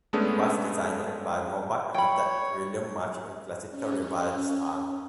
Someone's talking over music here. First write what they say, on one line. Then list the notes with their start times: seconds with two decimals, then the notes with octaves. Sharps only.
It was designed by Mobile architect William March in Classical Revival style.
0.13 G#3 A3 B3 C#4 D4 G#4
1.94 C#5 G5 B5
3.70 C#4